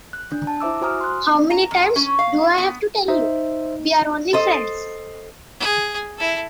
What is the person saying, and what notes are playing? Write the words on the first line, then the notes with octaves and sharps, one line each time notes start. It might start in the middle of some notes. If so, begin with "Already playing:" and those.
How many times do I have to tell you? We’re only friends.
F#6
D4
A5
E4 C5 E5 D6 E6
F#4 C5 G#5 A#5 D#6 F6
C6 F#6
A#5
F2
C#4
F5
B3
D#4 C5 E5
A4 C5 D#5
G#4
E4 A4